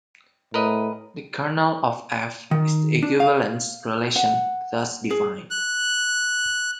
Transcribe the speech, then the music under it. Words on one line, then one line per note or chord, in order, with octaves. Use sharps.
The kernel of "f" is the equivalence relation thus defined.
A2 A#4 B4 D#5
D#3
D4
F5
F#5
G#4
F#6